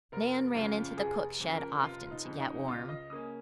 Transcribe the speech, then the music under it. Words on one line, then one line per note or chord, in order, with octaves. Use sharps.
Nan ran into the cook shed often to get warm.
F1 A#4
F2 C#3 F4
F1 G#4
F2 C#3
A#4
F1 F4
D#4
F2 C#3
D#4
C#2 F4
D#5
C#3 A#3 C#4 D#6